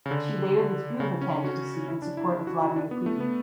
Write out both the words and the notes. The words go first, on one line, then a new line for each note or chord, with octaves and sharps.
She later withdrew her candidacy in support of Vladimir Putin.
C#3
D3
C#3
C#4
F#4
E4
D4
E4
E4
F#4
E4
D4
B3
A3
B3